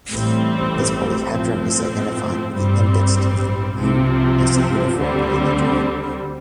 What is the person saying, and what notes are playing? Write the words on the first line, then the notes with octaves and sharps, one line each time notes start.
This polyhedron is identified with the indexed name U as a uniform polyhedron.
A1 A2 G3 C4
A2 F3 C4
A1 G2 G3 C4
C2 C3 F3 C4
D2 D3 G3 C4